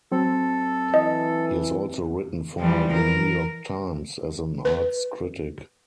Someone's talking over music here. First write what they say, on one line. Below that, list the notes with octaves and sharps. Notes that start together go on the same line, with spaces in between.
He has also written for "The New York Times" as an arts critic.
F#3 C4 A4
E3 D#5
E3 F3 G3
A#4
B4